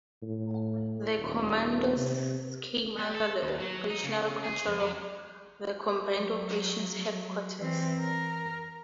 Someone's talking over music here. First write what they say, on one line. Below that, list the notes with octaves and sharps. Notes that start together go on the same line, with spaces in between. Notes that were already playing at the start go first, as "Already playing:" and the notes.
The Commandos came under the operational control of the Combined Operations Headquarters.
A2
D#1
C3
G3
A4
D#2
F#3
D#4
C#3
G#4
F2
F#3
F#3
E3 C4
A#4